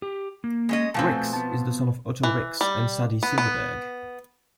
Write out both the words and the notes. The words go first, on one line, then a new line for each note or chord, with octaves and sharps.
Rix is the son of Otto Rix and Sadie Silverberg.
G4
A#3
G#3 C#4 D#5
B2 F3 A3 C4 G#5 A5
B3 A5
E3
G3
B3
B3